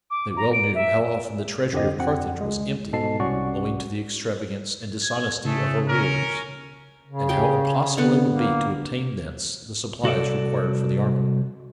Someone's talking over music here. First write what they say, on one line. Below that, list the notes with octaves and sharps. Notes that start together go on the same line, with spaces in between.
They well knew how often the treasury of Carthage was empty owing to the extravagance and dishonesty of her rulers, and how impossible it would be to obtain thence the supplies required for the army.
D6
A#5
D7
E5
F2 D3 G4 C5 D#5
F2 F#5 G5
C#2 G#3
G#2 B2 A4 D#5 A5 C7
C2 C#4 F#4 D5 F#5 C#6
G#6
C#3 A3 G#4 A4
C#4 A#4
C#3
G4 G#4 G5
D3 B3
A#3
C2 F#4 A4 D5